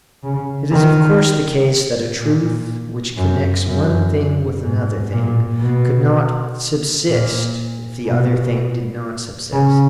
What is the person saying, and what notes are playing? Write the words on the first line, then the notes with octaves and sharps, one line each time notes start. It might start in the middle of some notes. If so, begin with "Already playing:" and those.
It is of course the case that a truth which connects one thing with another thing could not subsist if the other thing did not subsist.
C#3
D#3
A#2
F#2
F#2
G#2
A#2
B2
A#2
B2
C#3